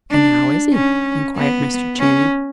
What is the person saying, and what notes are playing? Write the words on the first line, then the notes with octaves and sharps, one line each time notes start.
"And how is he?" inquired Mr. Channing.
D4
C#4
B3
C#4